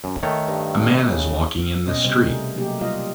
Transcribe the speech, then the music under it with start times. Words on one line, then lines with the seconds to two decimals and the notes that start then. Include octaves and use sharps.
A man is walking in the street.
0.04 F#2
0.23 D#3 A3 C#5
0.48 G2
1.10 C#3
1.88 B2 C4 C#4 D#5
2.04 C3 G3 C5
2.23 A3 G#4 A#4
2.56 F#3 A3 A#3 D#4 G4
2.81 G3 C4 F4 D#5 F5